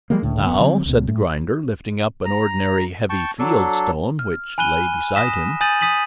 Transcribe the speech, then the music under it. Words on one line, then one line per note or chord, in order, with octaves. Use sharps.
"Now," said the grinder, lifting up an ordinary heavy field-stone, which lay beside him.
F3 G3 G#3 A#3
C#2 A2 D3
D#1 B3
D3 F#3 C4
C#2 B2
A2
A#5
G5 A5 C#6
F#3 D4 A4
F6
G#5 B5 F#6 D#7 G7
D#6 A#6 B6 E7
G#5 D#6 G6 A6 D#7 F#7
D#6 B6 D#7 F#7